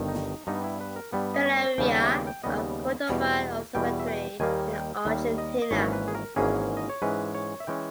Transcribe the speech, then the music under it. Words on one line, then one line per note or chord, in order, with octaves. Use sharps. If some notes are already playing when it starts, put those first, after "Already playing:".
Pereyra of Cordoba observatory in Argentina.
Already playing: G1 G2 D#3
D#4
G2 G3 B3 D#4
E4
B4
A#4
G2 G3 B3
D#5
C#5
D#2 C#3 G3 B3 G5
G5
E5
G5
G5
D#2 C#3 G3 B3 D#5
E2 B2 G3
E2 B2 G3 G5
E5
G5
D#2 D#3 G3 A#3 G#5
G5
D#2 D#3 G3 A#3 E5
D#5
D#5
G#1 G#2 E3 A#3 C#4 C#5
C#5
B4
G#4
A#4
G#1 G#2 E3 A#3 C#4 G#4
D#5
C#5
G#2 E3 G#3 C#4 B4
C#5
E5
E3 G#3 C#4 G5